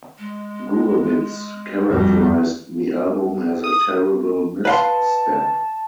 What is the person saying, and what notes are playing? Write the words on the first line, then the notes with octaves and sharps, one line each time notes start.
Gurewitz characterized the album as a "terrible misstep".
G#3
F2 G3 F#4
D#6
B4 F5 A5 C6